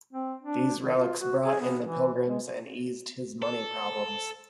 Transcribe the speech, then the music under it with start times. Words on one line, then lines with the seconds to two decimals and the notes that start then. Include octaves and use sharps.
These relics brought in the pilgrims and eased his money problems.
0.13 C4
0.42 D4
0.84 D#3
0.97 F4
1.19 F#4
1.42 G#4
1.60 B3
1.83 E3
2.14 B2
2.28 G#3
3.42 A4